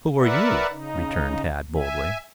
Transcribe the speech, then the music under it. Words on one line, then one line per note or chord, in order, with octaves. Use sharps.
"Who are you?" returned Tad boldly.
A#4 B4 D5 E5 F#5
C#3 D#4
E5 G#5